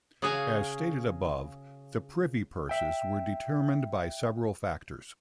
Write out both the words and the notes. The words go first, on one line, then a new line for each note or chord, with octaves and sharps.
As stated above, the Privy Purses were determined by several factors.
C#3 F#4 G#4 C#5 F5
E5 G5